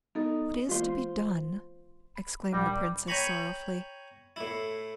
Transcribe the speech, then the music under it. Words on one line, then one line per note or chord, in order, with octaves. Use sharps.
"What is to be done?" exclaimed the Princess, sorrowfully.
B3 D#4 A4
E3 G#3 A#3 F4 C5
B5
D2 A#2 G3 A#6
C#5 G5 G#5 A#5 B5 C#6
A2 E4